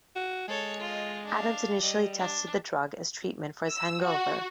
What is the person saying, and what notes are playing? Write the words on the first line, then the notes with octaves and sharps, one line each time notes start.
Adams initially tested the drug as treatment for his hangover.
F#4
G#3 A4 C#5
F4 D#5
D4 F5
G3 D#5
D4
E6
F#4